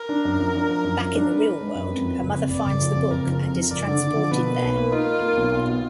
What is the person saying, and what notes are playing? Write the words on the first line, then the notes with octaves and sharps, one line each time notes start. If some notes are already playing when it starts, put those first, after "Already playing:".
Back in the real world her mother finds the book and is transported there.
Already playing: A#4
D4
F#2
F3
D4
F3
F#2
F3
D4
D4 B4
D4
G#3
F#2
F2
F3
F#1
F2
F#1 D5
F#1
F3
F2
F#1 A#4
F3
F2
F3
F#1 D5
D3
D3
F3
B2 B4
A#3
B1
A#3
D#4 F4
A#3
A#3
B1
B1 F4
B2